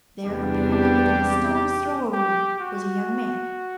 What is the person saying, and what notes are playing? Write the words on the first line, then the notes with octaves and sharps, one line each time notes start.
There--apparently within a stone's throw of me--was a young man.
E2 C3 G3 B3 D4 G4
G4
G4
F#4